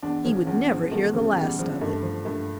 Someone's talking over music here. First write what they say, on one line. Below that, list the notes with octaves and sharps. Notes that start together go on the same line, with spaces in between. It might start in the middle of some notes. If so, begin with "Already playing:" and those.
He would never hear the last of it.
E2 D4
C#3 F3 C#4
E2 C#4
C#3 F3
E2 A3
C#3 F3
E2 G3
C#3 F3
G2 A3
F3
G2 A3